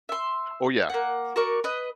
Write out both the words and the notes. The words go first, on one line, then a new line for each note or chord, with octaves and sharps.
Oh, yeah.
E5 C6
A#3 F#5
F#4 A#4 D5 C#6
B4 D#5